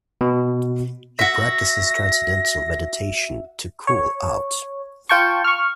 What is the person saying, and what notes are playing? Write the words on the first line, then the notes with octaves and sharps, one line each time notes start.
He practices Transcendental Meditation, to "cool out".
B2
F#4 E5 A#6
C#5
F4 G5 A5 C#6
C#6 F6